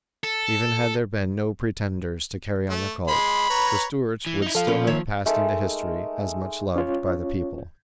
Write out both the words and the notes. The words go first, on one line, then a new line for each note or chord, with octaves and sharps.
Even had there been no pretenders to carry on the cult, the Stuarts would still have passed into history as much loved by the people.
A4
A3
G#3 B5 C6
B4 C#5 A#5
E3
D#4 E4
F3 A4 F5
B2 C#4
D#3 A#3 C#5 E5
G#3 A3 D#4 A#4
C#4 F4 C#5